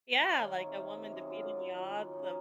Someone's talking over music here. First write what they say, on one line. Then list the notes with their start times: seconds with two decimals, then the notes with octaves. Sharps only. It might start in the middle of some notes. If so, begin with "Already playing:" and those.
Yeah. Like, a woman defeating the odds of,
0.20 G#3 C#5 F5
0.36 D#3
0.51 G#3
0.67 C3
0.82 G#3
0.97 C3
1.12 F#2 G#4
1.22 F#4
1.27 F#2 F4 G#4
1.43 F#2
1.58 F#2
1.73 D#3
1.88 F#2
2.04 C#3 C#4
2.13 D#4
2.19 C#4